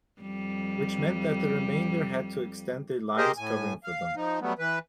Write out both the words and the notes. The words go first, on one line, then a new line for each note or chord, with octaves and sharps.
Which meant that the remainder had to extend their lines covering for them.
F2 G3
G4 G#4 A#4 C5 D#5
A2 G#5
F5
F3 D#4
F#3 G3 A3 B3
E3 B4